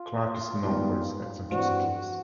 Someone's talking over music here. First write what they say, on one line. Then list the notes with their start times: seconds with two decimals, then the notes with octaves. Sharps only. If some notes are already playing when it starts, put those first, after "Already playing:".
Clark is known for his eccentricities.
Already playing: F4
0.64 G#2 D#3 G3 B3
1.51 G2 E3 G3 C4 F#4